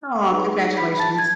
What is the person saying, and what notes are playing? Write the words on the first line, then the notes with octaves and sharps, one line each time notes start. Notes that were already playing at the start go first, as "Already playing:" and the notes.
Aw, congratulations.
D#4 G#4 B4
B5 B6
A5 A6
G#6